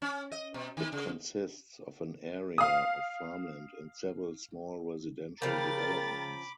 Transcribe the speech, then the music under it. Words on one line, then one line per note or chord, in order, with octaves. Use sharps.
It consists of an area of farmland and several small residential developments.
C#4
D#5
B2
D#3
C#3
F5 D#6
C#3 F3 A#4 G5 A#5 B5 D6 A6